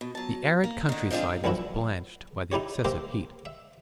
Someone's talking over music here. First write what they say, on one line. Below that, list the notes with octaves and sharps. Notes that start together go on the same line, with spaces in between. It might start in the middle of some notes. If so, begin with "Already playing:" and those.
The arid countryside was blanched by the excessive heat.
B2
F#3 A5
A#3
D3 D#3
F3 G#3 C4 D4 F4
B1 A#2 F3 E4 F#4 E5
D#4 E4 G4 C#5
A#3 G4 A#4 C5 E5
E5